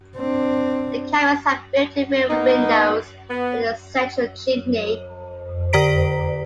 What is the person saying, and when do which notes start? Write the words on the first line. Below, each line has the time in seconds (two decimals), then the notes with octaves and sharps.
The cabins have built-in windows and a central chimney.
0.16 C4 D4
2.29 A#3 B3 D#4
3.30 B3
5.73 D3 G4 D5 A#5 B6 D7